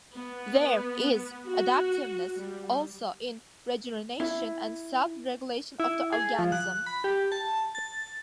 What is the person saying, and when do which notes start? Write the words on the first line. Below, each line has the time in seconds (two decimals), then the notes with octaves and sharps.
There is adaptiveness also in regeneration and self-regulation of the organism.
0.15 B3
1.47 F#4
2.37 G3
4.20 E4
5.80 E4
6.13 G#4
6.39 F3
6.52 F#6
6.86 B5
7.04 G4
7.32 A5
7.75 A6